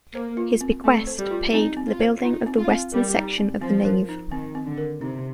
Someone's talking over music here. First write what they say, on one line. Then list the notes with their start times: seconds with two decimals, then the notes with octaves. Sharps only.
His bequest paid for the building of the western section of the nave.
0.14 A#3 C5
0.37 F4
0.61 C4
0.84 A3 C4
1.07 C5
1.18 G3
1.31 F4
1.53 C4 D#4
1.77 C4
1.88 F4
2.00 C5
2.23 D#4 F4
2.46 C4
2.58 F4
2.69 C4
2.92 G3 A#4
3.15 D#4
3.38 C4
3.61 F3 C4
3.85 A#4
4.09 D#4
4.32 D#3 C4
4.55 C4
4.66 D3
4.78 A#4
5.01 C3 D#4